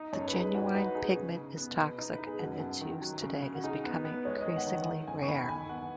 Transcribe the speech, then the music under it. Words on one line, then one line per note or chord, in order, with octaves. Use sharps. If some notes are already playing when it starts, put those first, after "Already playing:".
The genuine pigment is toxic, and its use today is becoming increasingly rare.
Already playing: D#4 D#5
F#2 C#5
B4
D#4 G#4
G#2 F#4
D#4 B4
D#4 G#4
C#3
C#3
B3
B2
D#4
B4
D#4
G#4
F#2 F#4
F#2
D#3
F#3
C#3
C#3
F#4
D#4 G#4
B3
B3
G#3 C#5
D#5
D#3
F#5
D#3
D#5
D#3
F#2 G#5
C#6
D#3 B5
B5
D#2 G#5
B3 F#5